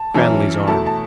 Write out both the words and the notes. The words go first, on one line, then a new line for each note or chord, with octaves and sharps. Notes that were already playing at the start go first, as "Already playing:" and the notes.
Cranly's arm.
Already playing: A5
F#2 E3 C#4 E4
B2 A3 E4 A5
A5